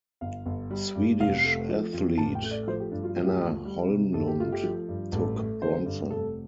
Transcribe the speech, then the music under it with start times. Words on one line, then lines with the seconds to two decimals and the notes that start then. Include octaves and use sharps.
Swedish athlete Anna Holmlund took bronze.
0.21 G1 F5
0.46 G1
0.70 G3
0.95 G2
1.20 F1 F5
1.44 A3
1.69 F3
1.93 F2
2.18 A1 A5
2.35 G5
2.43 A3
2.51 D5
2.67 F3 C5
2.80 G4
2.92 G2 D4
3.04 F4
3.16 D2 F4
3.26 G4
3.35 F4
3.40 D2
3.65 G3
3.90 C3
4.14 G1 A4
4.27 G4
4.39 A3 F4
4.52 G4
4.63 F3
4.89 G2
5.12 A1 A4
5.38 A3
5.62 D3 C5
5.86 G2
6.11 F1 A4